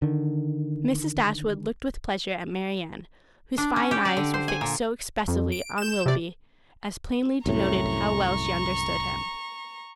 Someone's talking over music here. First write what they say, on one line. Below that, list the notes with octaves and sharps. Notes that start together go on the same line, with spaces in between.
Mrs. Dashwood looked with pleasure at Marianne, whose fine eyes were fixed so expressively on Willoughby, as plainly denoted how well she understood him.
D3 D#3
D4
C#4
G4
D5
D3
C5
G#5
A#2
F2
D7
G6 E7
C3 D5
C2 F#2 A2 A#5 C#6